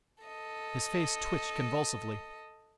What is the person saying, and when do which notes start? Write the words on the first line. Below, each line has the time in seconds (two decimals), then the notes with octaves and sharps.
His face twitched convulsively.
0.23 A4 D#5